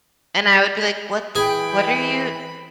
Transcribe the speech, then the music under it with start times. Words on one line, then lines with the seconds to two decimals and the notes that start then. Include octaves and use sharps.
And I would be like, "What the what are you
1.35 E3 G#4 G5 B5